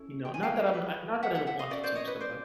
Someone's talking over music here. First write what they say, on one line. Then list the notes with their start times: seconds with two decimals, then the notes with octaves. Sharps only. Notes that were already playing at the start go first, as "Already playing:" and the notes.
You know, not that I'm I not that I don't want to teach them, but
Already playing: C#4 E4 A4
0.25 G5
0.34 G#5
0.43 F5 G5
0.73 E4 G#4 B4
1.23 E5 F#5
1.35 E5 F#5
1.47 E5 F#5
1.59 D#5 F5
1.71 C#4 F#4 A4 D5 E5
1.84 C5 D5
1.95 C#5 D#5
2.07 B4 C#5
2.20 C5 D5